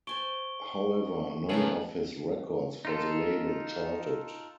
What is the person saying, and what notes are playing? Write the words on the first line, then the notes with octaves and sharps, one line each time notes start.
However, none of his records for the label charted.
C5 G#5 A5 C#6 D7 G7
F#2 C#3 B3 D#4 F#5 G#5 A5 F#7
D#4 F4 A4